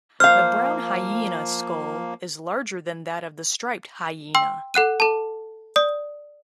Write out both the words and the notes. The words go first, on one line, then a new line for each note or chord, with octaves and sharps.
The brown hyena's skull is larger than that of the striped hyena.
F3 A#3 C5 F5 F6
G5 C6 E6
A4 F#5 F#6 D#7
A4 A5
D5 D#6